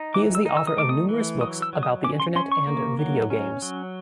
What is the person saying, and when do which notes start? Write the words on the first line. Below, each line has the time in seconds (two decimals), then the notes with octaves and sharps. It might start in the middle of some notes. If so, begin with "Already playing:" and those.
He is the author of numerous books about the Internet and video games.
Already playing: D#4
0.14 E3 D6
0.35 E6
0.46 D#4
0.57 E6
0.67 D#6
0.78 A3 D6
0.89 D#6
1.09 E3
1.41 F#3 D#6
1.62 E6
1.73 F#3
1.83 D#6
2.04 C#4 D6
2.20 C6
2.35 C#4 C6
2.52 C#6
2.67 A#3
2.99 F#3
3.30 C#4
3.62 F#3